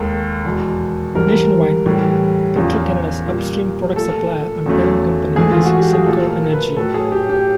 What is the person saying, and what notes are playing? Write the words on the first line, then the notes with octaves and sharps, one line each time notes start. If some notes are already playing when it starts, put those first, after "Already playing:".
Nationwide, Petro-Canada's upstream product supplier and parent company is Suncor Energy.
Already playing: D#2 D#3 G#3 A4
E2 B2 G#3
G#2 E3 G3 A#4
A2 E3 G3
E2 C#3 F3
A#2 G3
A#2 F3 A3 A4
E2 C#3 F#3 A3
G#2 E3 A3 G#4
F4
F#4
G4
G#4
A#2 F3 A3 A4
A#4
B4
A2 F#3 A3 A4
G#4
G4
G4